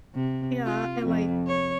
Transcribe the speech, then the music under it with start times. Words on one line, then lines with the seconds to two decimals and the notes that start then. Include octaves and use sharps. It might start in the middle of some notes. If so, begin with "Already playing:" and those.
Yeah, and, like,
0.15 C3
0.64 F4
1.06 F2
1.48 C#5